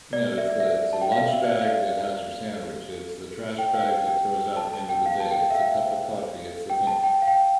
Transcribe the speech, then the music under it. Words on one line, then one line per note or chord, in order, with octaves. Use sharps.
You know, it's the, it's a lunch bag that has your sandwich, it's the trash bag that throws out at the end of the day, it's a cup of coffee, it's the thing,
D5
E5
D5
E5
A5
G5
F5
E5
D5
F5
G5
F5
G5
G5
A5
A5
G5
F5
A5
G5
E5
F5
G5
A5
G5
F5
G5